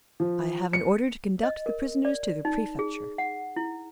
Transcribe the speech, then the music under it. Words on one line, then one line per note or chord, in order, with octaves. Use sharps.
"I have an order to conduct the prisoners to the prefecture."
F3
C#7
D#5
A#4
D5
D#4
G#4
F#5
E4